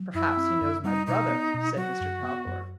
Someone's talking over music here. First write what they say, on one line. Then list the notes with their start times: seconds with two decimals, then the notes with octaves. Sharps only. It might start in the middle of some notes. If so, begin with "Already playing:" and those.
"Perhaps he knows my brother?" said Mr. Calthorp.
Already playing: F#3
0.14 F#2 E4
0.37 C4
0.61 F#2
0.84 G3 D#4
1.07 B2 D#4
1.30 B3
1.54 B2
1.76 F#3 F#4
2.00 F#2
2.23 B3
2.46 F#2